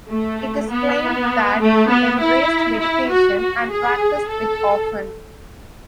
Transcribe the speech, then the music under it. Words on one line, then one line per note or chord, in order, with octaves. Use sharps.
It is claimed that he embraced meditation and practiced it often.
A3
B3
A3
B3
E4
E4
F#4
F#4
G#4
A4